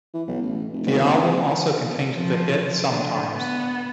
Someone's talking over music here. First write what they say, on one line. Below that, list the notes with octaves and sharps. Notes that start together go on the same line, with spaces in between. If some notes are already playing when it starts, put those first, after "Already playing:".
The album also contained the hit "Sometimes".
E3
B1
A1
F1
G#1
F#1
F3
D3
B3